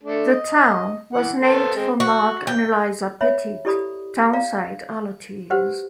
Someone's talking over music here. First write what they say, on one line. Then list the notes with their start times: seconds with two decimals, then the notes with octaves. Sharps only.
The town was named for Mark and Eliza Pettit, townsite allottees.
0.03 A3 D4
0.32 D#5
1.13 E3 F#5
1.41 B3 A4 C5
1.75 G#3 C4
2.00 F#4
2.47 G5
3.21 C#5 E5 B5
3.65 E4 G4 A4 D5 B5 D#6
4.33 D5 F5 A#5
5.50 F#4 G4 B4 C5 F#5